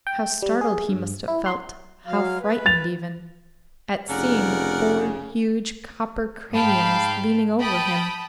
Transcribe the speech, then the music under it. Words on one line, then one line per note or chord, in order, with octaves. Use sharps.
How startled he must have felt, how frightened even, at seeing four huge, copper craniums leaning over him!
G5
G3
G#4
G2
E4
C6
F#3 F5
B4
A6 F7
F1 C#3 A#4 D5 F#5
G#2 F5 G5 A5 B5
G5 A5 B5 D#6